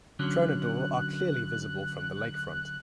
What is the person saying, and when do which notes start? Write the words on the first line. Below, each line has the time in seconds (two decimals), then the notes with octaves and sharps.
Tronador are clearly visible from the lakefront.
0.19 D3 F#3 C#4 F#6